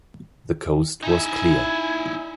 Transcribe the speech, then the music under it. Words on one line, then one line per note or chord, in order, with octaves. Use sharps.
The coast was clear.
D#4 E4 E5 G#5